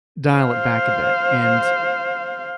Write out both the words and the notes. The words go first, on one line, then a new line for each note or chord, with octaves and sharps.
dial it back a bit." And
C5 F5